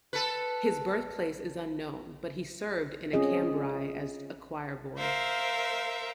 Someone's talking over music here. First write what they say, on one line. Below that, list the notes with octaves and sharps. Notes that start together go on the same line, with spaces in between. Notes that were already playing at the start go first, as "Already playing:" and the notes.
His birthplace is unknown, but he served in Cambrai as a choirboy.
A4 B4
C4 C#4 F4 G#4 D#5
A#4 C5 E5 F5